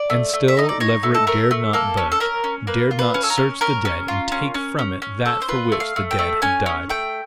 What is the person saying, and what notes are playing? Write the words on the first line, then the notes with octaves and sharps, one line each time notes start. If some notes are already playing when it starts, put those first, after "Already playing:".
And still Leverett dared not budge, dared not search the dead and take from it that for which the dead had died.
Already playing: D5
A3
A3
E5
D#4 D#5
D5
D#4 C#5
A3
A4
A3 A#4
A3
A#3 A4
C#4
A4
C#4 A#4
C#4
A#3 B4
F4
B4
C#4
A4
A#4
C#4
C#4 A#4
C#4
F4
C#4
C#4
C#4
C#4
A4
C5
F4 B4
A3
F5
A3
G5
A3
C#4 G#5
C#4
A3 G5